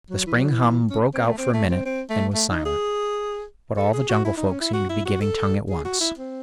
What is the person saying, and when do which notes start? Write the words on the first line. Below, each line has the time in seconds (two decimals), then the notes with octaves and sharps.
The spring hum broke out for a minute, and was silent, but all the Jungle Folk seemed to be giving tongue at once.
0.10 F#3
0.26 E3
0.37 F#3
0.49 E3
0.90 C#4
1.13 C4
1.25 A3
1.38 C4
1.54 A3
1.70 C4
1.85 C4
2.10 A3
2.34 A3
2.49 D#4
2.65 G#4
3.77 A4
3.93 G#4
4.09 F#4
4.25 E4
4.37 D#4
4.49 C#4
4.61 E4
4.73 F#4
4.89 E4
5.05 F#4
5.21 A4
5.69 G#4
5.85 F#4
6.01 E4
6.17 C4